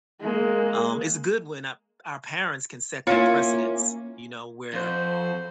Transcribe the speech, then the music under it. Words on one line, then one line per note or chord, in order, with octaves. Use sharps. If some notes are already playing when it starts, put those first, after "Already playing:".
um it's good when a our parents can set that precedence, you know, where,
G#3 A#3
A#3 C#4 E4 F4
F2 F#4 C5